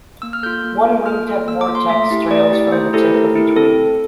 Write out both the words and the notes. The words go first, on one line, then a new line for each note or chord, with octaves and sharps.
One wingtip vortex trails from the tip of each wing.
A#3 E6
F6
F4 A4 G6
G6
A#3
F4 A4
A#3 F6
F4 A4
A#3 E6
D6
F4 A4
C6
A3 E5
E4 G4
A3 D5
E4 G4
A3 C5
E4 G4 A4
A3 A#4
E4 G4
C4 A4